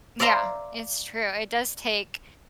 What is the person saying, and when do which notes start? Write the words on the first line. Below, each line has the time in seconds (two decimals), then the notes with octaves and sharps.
Yeah, it's true. It does take
0.20 D5 E5 F5 A#5 C6